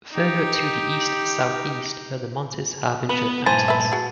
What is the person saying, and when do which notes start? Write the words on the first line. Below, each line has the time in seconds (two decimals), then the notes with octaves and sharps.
Further to the east-southeast are the Montes Harbinger mountains.
0.12 D#4 G4
3.09 B3 B4
3.46 G2 A#2 E4 C5 G#5 A5
3.68 B4 E5
3.92 F#4 G#4